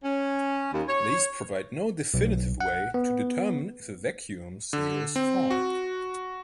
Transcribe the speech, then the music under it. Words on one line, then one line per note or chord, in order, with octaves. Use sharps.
These provide no definitive way to determine if a vacuum seal is formed.
C#4
D#2
C#5
B1
F#5
B3
D3
C4
F#4